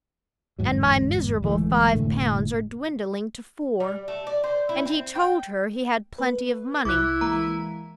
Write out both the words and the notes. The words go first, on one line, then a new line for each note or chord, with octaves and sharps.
And my miserable five pounds are dwindling to four! And he told her he had plenty of money!
G1 E2 G#2 F#3
D1 E3 G#3 A3
F1 A2 D3 A3
G3
A3
D5
C5
E4
C4
G5
A#3 B4
C2 E4 D6 F#6
E3 G#3 A#3 A#5